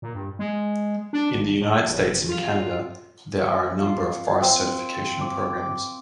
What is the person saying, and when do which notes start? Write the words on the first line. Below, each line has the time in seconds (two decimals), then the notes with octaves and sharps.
In the United States and Canada, there are a number of forest certification programs.
0.02 A#2
0.14 G2
0.39 G#3
1.13 D4
1.34 G#1
1.60 A2
1.88 F1
2.29 F4
3.82 F4
4.42 C4
5.21 D6
5.57 D6